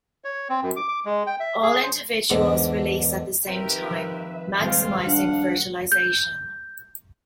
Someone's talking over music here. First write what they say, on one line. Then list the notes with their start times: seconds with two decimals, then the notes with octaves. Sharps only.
All individuals release at the same time, maximising fertilisation.
0.24 C#5
0.50 C4
0.63 F#2
0.76 D6
0.88 D6
1.05 G#3
1.27 G5
1.40 E5
1.62 G#4
1.83 C5
2.30 E2 G#2 D3
3.47 D#3 C4 G4 A#4 B4 E5 B6 D#7
3.90 F3
4.59 D#1 G3 G#3 C4 F4 G4 F5
5.05 D4 F#5
5.92 G6